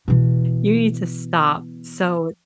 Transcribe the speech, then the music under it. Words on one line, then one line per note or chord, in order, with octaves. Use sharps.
you need to stop." So,
B2 E3